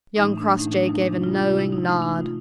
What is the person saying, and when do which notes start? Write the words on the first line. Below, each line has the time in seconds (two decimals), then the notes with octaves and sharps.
Young Crossjay gave a knowing nod.
0.16 A2 E3 A3 C#4 D#4
0.38 D4
0.59 A2 E3 A3 C#4 D#4
0.73 D4
0.88 D#4
1.02 C3 E3 G#3 D4
1.13 D#4
1.24 F4
1.33 F#4
1.44 C3 E3 G#3 F4
1.59 E4
1.72 D#4
1.87 C3 E3 A3 C#4 D#4
2.02 D#4
2.16 F4